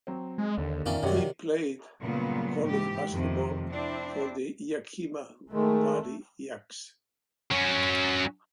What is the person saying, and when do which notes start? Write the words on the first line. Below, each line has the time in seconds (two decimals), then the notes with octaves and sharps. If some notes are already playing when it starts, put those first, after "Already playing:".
He played college basketball for the Yakima Valley Yaks.
0.07 F#3 C4
0.38 G#3
0.57 D#2 D3
0.86 F2 A#2 D#3 A#3 C#4 D5 E5
1.03 F#2 C3 D#3 F#4 C#5 D5
2.01 G2 A#2 C#3 F#3 B3
2.64 G#2 E3 G4
3.11 F2 C3 D#3
3.70 C4 D4 E4
5.53 D#3 G#3 A3
7.51 F#3 C#4